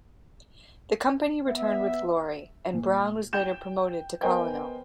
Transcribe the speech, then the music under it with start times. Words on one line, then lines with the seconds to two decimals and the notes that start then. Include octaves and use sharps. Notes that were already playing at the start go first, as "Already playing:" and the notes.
The company returned with glory, and Brown was later promoted to Colonel.
1.48 B3 E5
2.73 A#2
3.33 G5 G6 E7
4.21 B3 A#4 C5 D#5 G5 G#5